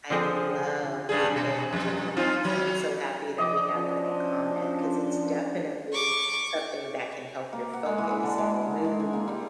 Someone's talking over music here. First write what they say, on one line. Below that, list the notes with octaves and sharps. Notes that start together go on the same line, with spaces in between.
I'd love being able to walk, so I'm so happy that we have that in common 'cause it's definitely something that can help your focus and your mood,
D3 F3 C4 G#4
G2 G3 G#4
B2
F2 G3
C4 D#4 F4
F#3
F3 D4 D#5 D6
F3 C#4 D4
C#6 D6
A#3
F#5
G#3
E3
E4
D3
G#3
F#5
G#3
G#5
A#3
G3